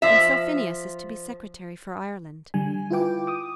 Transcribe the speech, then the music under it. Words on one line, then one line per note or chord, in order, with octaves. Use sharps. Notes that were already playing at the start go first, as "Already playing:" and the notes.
And so Phineas is to be Secretary for Ireland!
F3 E5
D3 G3 G#5
E4 F4 B4 G5 D6
D6 D#6